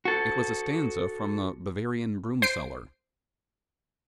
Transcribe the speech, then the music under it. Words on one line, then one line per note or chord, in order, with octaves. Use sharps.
It was a stanza from the 'Bavarian broom-seller'.
F#4 A4
C5 C7 D7